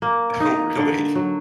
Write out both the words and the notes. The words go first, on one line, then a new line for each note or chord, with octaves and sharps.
Oh, really?
A#3
D#4
D3
F#3